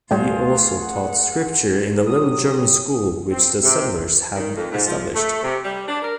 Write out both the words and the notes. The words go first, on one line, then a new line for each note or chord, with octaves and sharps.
He also taught Scripture in the little German school which the settlers had established.
D2 A2 G3 F4 F#4 G#4 C5
F#5
F#3 G4 D#6
C4
C3
D#3
F2
G#2
F3
A3
C3
G3
D4
A#4